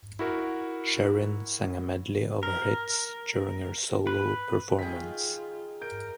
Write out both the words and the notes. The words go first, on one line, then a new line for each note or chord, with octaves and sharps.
Sheryn sang a medley of her hits during her solo performance.
E4 F#4 A#4
A#4
B4
D#3 F4 G#4 G5 G#5 B6
A#4 G6 D7